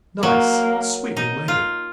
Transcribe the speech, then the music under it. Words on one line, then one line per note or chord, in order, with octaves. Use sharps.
"Nice, sweet young lady."
F#3 A#3
D#4
F4